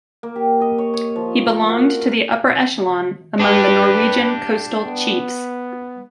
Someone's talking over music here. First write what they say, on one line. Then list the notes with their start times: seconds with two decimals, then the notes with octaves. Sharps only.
He belonged to the upper echelon among the Norwegian coastal chiefs.
0.23 A#3
0.36 G4
0.61 D#5
0.78 C#5
0.94 C#5
1.16 F3
1.51 A#4
1.69 F#4
3.40 D4 G4 B4
4.84 B3